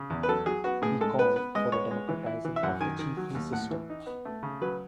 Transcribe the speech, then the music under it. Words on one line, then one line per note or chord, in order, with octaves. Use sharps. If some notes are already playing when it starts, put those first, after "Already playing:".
He called for a democratizing of the chiefly system.
Already playing: C#3
E2
B4
F#3 A4
F#3 G#4
B3 F#4
A2 G#4
G#3 A4
B3 B4
B3 B4
G#3 D#5
B3 C#5
G#3
E3
E4
E3
E5
F#2 F#5
D#3 G#5
D#3
F#3
D#2
A2 F#5
E3
D#4
B3
A3
C#3
F#3 B4